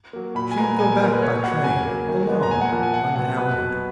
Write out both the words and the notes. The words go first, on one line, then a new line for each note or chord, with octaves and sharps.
She would go back by train, alone, unhampered.
F#3 A#3
A#2 B5
G#5
G#3 B3 A#5
A#2 G#5
G#3 B3 A#4
B4
B2 C#5
F#3 A#3 F#5
C#3 G#5
F#3 A#3
D#3
G#3 B3
A#5
A#2 G#5
F#5
F3 A#3 F#5
G#5
A#2 F#5
F#3 B3 F#5
B2 B4
F#3 B3